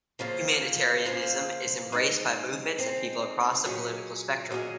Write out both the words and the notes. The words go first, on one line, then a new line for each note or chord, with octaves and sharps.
Humanitarianism is embraced by movements and people across the political spectrum.
C#3 F3 A#3 F4 C5
C#3 F3 A#3 F4 C5
G#3 C4 D#4
G#3 C4 D#4
A#2 F#3 C#4 G#4 D#5
A#2 F#3 C#4 G#4 D#5